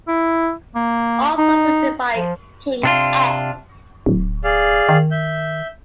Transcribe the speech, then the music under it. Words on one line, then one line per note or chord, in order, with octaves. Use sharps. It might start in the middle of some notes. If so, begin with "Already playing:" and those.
All songs written by King's X.
E4
A#3
D#4
F3
C3 D4 F4
D1
G#4 D5 F5
D#3
E5 G6